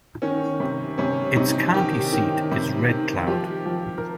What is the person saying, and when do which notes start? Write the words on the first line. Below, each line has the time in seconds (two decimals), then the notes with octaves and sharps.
Its county seat is Red Cloud.
0.22 D#3 C#4
0.60 C3
0.98 C3 C#4
1.36 C3 D#4
1.74 D#3 G4
2.13 D#3
2.51 C3
2.89 D#3
3.27 F3 G4
3.66 F3
3.98 A#4